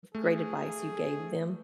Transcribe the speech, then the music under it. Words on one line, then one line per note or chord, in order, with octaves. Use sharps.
great advice you gave them?
A3 G#4